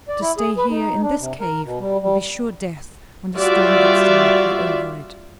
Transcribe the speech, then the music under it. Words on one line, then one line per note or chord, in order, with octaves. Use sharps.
To stay here in this cave will be sure death when the storm gets directly over it.
D5
E4
G#4
B4
D#4
D4
C3
A#4
B2
G3
G3
G3 F4 F#4 D5 E5